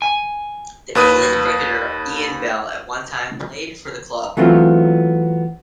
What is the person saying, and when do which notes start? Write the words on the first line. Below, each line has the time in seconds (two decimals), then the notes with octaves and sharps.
The England cricketer Ian Bell at one time played for the club.
0.02 G#5
0.95 D#2 B4 D#6 D#7
4.37 E3 F#3 A3 B3 C4 F4